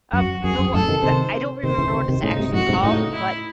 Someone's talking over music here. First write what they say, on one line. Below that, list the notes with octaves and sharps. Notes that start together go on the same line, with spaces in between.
Uh, the w the I don't remember what it's actually called but
F#2 F#4
F#2 G#4
F#2
F#2 A2 A4
C3 D#3
C3 D#3 C5
C3 D#3 C5
C#3 E3
C3 D#3
C3 D#3
A2 C#3 D#4
G#2 C3
F#2 A2 F#4
G#2 C3
A2 C#3 D#4
E4